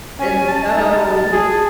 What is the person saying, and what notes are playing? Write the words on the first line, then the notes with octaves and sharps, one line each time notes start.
and so he
C#4 G#5
A5
D#4
A5
G#4 A5